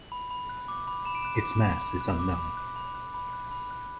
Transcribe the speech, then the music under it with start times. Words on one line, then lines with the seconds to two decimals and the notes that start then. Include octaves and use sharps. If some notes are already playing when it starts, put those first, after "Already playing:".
Its mass is unknown.
Already playing: F#7
0.12 B5
0.31 B5
0.49 F#6
0.68 D6
0.87 B5
1.05 B5 E7
1.15 D7
1.22 F#6 E7
1.44 D6
1.62 B5
1.82 B5
2.01 F#6
2.19 D6
2.39 B5
2.57 F#6
2.76 B5
2.95 F#6
3.14 B5
3.33 F#6
3.51 B5
3.71 F#6